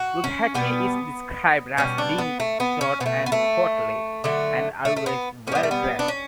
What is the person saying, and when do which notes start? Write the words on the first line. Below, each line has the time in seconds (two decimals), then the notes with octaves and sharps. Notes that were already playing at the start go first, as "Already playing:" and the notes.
Bugatti is described as being short and portly, and always well dressed.
Already playing: F#4
0.24 C#4
0.54 B2 G3 B3
1.77 B2 G3 C#4
1.98 D4
2.18 B3
2.40 A3
2.60 B3
2.81 C#4
3.00 B2 B3
3.06 A3
3.26 B3
3.32 A3
4.24 D3 F#3 A3
4.85 A3
4.96 A3
5.06 B3
5.47 D3 C#4
5.52 G3 B3
5.63 A3
5.71 B3
5.99 D4
6.08 C#4